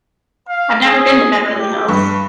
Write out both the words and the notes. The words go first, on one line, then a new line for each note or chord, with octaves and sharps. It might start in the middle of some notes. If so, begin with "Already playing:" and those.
I've never been to Beverly Hills.
F5
G#4
G4
G2 B4 C#6